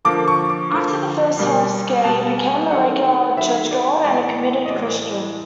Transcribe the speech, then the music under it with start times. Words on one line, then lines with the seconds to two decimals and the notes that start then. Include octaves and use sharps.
After the first health scare he became a regular churchgoer and a committed Christian.
0.05 D3 F3 A#3 D6
0.28 C#6
0.50 D6
0.72 D3 F3 A#3
1.38 B2 G3 A#3
2.04 B2 G3 A#3 A5
2.38 G#5
2.71 D#3 F#3 A3 F#5
3.37 D#3 F#3 A3 E5
3.71 D5
4.04 A2 E3 G#3 D5
4.66 D#5
4.70 A2 E3 G#3 D5